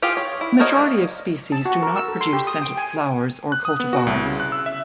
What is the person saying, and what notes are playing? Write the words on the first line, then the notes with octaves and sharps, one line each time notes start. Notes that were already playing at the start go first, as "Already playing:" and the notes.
The majority of species do not produce scented flowers or cultivars.
F4 G4 G#4 F5 G5
C#5
E4
F#4 A#4 C5 C#5 D#5
G3 A#3
A5
F#4
A#4
E6
A4
C6
G4
D#6
G5
G#5
F#6
D#6
B3
F#4
C2
C#3
F#6
E6
E5